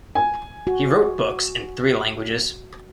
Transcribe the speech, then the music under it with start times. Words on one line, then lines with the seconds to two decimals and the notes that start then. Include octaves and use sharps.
He wrote books in three languages.
0.15 G#5
0.67 F#4